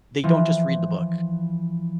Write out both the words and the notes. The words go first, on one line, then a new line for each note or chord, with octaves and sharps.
they don't just read the book.
E3 F3